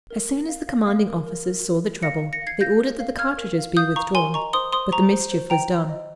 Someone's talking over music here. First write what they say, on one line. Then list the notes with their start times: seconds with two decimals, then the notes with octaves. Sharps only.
As soon as the commanding officers saw the trouble, they ordered that the cartridges be withdrawn--but the mischief was done.
0.10 A#4
0.29 A#4
0.49 F5
0.68 F5
0.87 F5
1.07 A#4
1.27 A#4
1.45 A#4
1.64 A#4
1.84 A#4
2.03 F5 A#6 C#7
2.22 F5
2.33 A#6 C#7
2.42 F5
2.47 G#6 C7
2.61 F5 G6 A#6
2.80 A#4
3.00 F5
3.19 F5 F6 G#6
3.38 A#4
3.58 F5
3.77 F5 D#6 G6
3.96 F5 A#5 C#6
4.15 A#4 G#5 C6
4.34 D#5 A#5 C#6
4.53 C5 C6 D#6
4.73 C5 C6 D#6
4.92 C5 A#5 C#6
5.12 C5
5.32 C5
5.50 C5 G5 A#5
5.70 C5
5.89 D#5